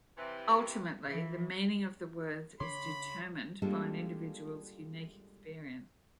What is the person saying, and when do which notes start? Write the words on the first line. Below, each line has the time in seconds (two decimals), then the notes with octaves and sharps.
Ultimately, the meaning of the words is determined by an individuals unique experience.
0.17 C3 E3
1.07 E3
2.60 C#3 D4 C#5 B5 C6 D6
3.62 G3 G#3 A#3 D4 F4 A4